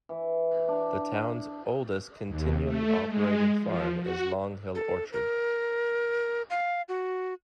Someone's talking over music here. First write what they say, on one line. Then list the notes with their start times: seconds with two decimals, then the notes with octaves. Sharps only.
The town's oldest continually-operating farm is Long Hill Orchard.
0.09 E3
0.69 D4
2.27 D#2
2.64 A3
3.05 G#3
3.60 F3
4.00 F#4
4.75 A4
5.13 A#4
6.50 F5
6.89 F#4